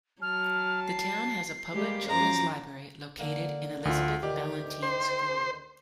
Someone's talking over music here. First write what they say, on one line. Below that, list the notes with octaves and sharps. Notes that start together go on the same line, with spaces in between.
The town has a public children's library located in Elizabeth Ballantyne school.
F#3 A5 F6
C7
G3 G#3 A#3 G4
F#2 F3 C5 A#5 D6
D3 A#3
D2 F4
D2 D#3 G4
C5